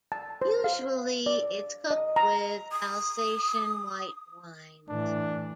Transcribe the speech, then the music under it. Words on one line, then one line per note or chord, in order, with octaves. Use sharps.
Usually it is cooked with Alsatian white wines.
A5
C5
F5
D5
D#5
A#5
D#6
A2 E3 D4